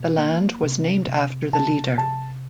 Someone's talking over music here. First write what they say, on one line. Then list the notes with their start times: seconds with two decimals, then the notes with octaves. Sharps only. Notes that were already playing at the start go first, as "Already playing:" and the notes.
The land was named after the leader.
Already playing: B2
0.18 A#3
0.63 C3
1.08 C3
1.53 C3 A5
1.98 C3 A5